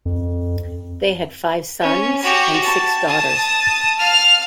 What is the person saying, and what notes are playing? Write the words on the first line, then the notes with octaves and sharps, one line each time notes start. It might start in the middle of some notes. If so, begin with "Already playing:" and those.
They had five sons and six daughters.
F2
C#4
F#4 G4
A5
A5 D#6
F5 F6